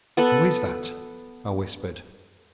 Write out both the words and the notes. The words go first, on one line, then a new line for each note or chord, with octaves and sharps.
'Who is that?' I whispered.
B3 A4 B4